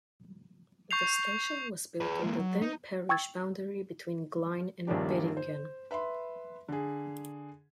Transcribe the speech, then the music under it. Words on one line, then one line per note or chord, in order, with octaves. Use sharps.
The station was built on the then parish boundary between Glynde and Beddingham.
C#6 G6 C7 F7
G#4 B4
G#3 A#3
F#3
D#4
G5 C#6 E6 G#6 A6
A#1 G2 D#3 C#4 D4 G4
C5
B4 E5 B5 C6
D3 G#4